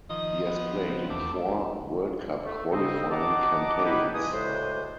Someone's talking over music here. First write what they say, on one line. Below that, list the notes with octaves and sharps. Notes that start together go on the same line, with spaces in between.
He has played in four World Cup qualifying campaigns.
D#3 F3 D#5
F3 B3
C4
E2 A3 D6
A3
F2 C#3 C4 D#5
D#5 F#5 A5 A#5 D6
D#4 E4 G4 B4
G2 G#3 E4 B4 G#5 D#6
D2 A2 C#3 G#3 D4 C5